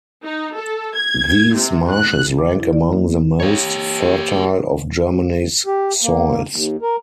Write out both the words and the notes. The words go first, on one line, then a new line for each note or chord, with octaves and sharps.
These marshes rank among the most fertile of Germany's soils.
D#4
A4
G#6
C3
F#6
D6
E4
D5
A#3
B3
G4 C#5
G4
A#3
D#2
A#4